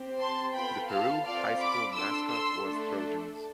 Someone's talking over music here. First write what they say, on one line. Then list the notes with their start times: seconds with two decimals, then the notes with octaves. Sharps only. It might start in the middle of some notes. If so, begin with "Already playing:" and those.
The Peru High School mascot was Trojans.
Already playing: C4 G4
0.19 A5 C6
0.54 B3 F4 A4 G5 B5
0.89 F5 A5
1.24 C4 F4 A4 D5 F5
1.59 B5 D6
1.94 D4 A4 C6 E6
2.29 C6 E6
2.64 A3 D4 A4